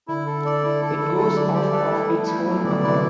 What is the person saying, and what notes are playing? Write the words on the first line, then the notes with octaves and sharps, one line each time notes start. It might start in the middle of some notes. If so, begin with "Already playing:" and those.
It goes off of its own accord.
D3 E4
A4
D5
E4
A4
E4
F#3 A4
D5
G3 D5
B3 A4
A3 E4
A3 E4
G3 E4
F#3 E4
E3
D3 D5
C3 E4